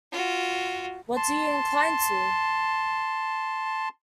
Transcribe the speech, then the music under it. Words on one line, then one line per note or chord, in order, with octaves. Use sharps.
What do you incline to?
F4 F#4
A5 C6